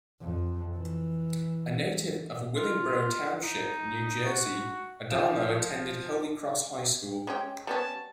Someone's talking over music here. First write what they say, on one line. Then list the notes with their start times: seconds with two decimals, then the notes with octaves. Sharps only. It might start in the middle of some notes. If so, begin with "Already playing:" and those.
A native of Willingboro Township, New Jersey, Adamo attended Holy Cross High School.
0.20 F2
0.75 E3
2.56 F4
3.43 D#4
4.25 F#4
5.10 F3 F5 E7
7.27 G#3 C#4 G4
7.67 G3 B3 C#4 A5